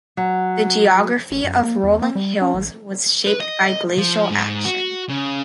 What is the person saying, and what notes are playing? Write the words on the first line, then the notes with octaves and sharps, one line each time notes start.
The geography of rolling hills was shaped by glacial action.
F#3
A1
F#2
A#3
E2
A#3
G3
C#4
A1
B4
D#5
F3
G#2
F#4
C#3